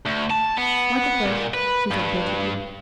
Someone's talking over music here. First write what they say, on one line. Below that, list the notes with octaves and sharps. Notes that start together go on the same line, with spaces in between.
"Michael first," he said doggedly.
D2
A5
B3
A#2
B4
G2